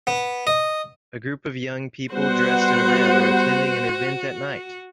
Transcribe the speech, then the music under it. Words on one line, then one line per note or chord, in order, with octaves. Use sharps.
A group of young people dressed in red are attending an event at night.
B3
D#5
G3 B3 F#4 C5 F#5